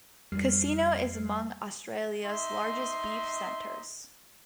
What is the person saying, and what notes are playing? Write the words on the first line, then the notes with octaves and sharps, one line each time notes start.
Casino is among Australia's largest beef centres.
F2 G3 F6 C7
D#4 D#5 E5 C6